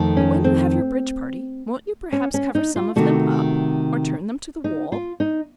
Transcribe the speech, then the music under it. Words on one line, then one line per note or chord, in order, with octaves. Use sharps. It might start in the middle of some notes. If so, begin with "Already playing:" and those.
But when you have your bridge-party, won't you perhaps cover some of them up, or turn them to the wall?
Already playing: F2 D#3 A3
C#4
C4
C#4
C#4
D#4
F4
C3 D#3 A3 F#4
D#4
F4
D#4